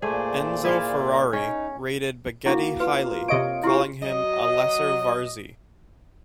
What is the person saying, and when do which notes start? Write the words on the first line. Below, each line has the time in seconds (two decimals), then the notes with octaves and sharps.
Enzo Ferrari rated Baghetti highly, calling him, 'a lesser Varzi'.
0.02 A#2 A3 G#4 C5 D5
0.65 E4 G#4 F5
1.33 C#4 D#4
2.46 A#3 D4 E4 F#4
2.80 F4 B4
3.28 C3 C#5 D#5 D7
3.63 E4 F4 G4 C5
4.02 F#3 D#5